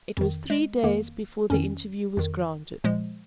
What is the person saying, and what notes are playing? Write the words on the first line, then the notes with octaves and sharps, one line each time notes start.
It was three days before the interview was granted.
F2 D#3
G#3
F2 D#3 A#3
F2 D#3 C#4
F2 D#3
A#2 F3 G#3